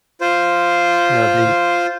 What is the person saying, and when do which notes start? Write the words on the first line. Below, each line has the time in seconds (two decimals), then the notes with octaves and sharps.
No, the
0.21 F4 C5